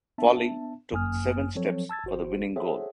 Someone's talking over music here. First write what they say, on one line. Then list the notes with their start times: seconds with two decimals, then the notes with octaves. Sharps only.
Foley took seven steps for the winning goal.
0.18 B3 D4 E5 A5
0.92 G1 F#2 A#3 G#5 D#6 F6
1.55 F3 F#3 C4 A4 C#5
1.89 A5 E6 G#6 A6
2.04 G1 F#4 C5
2.56 G#4 A4 C5 C#5 E5 F#5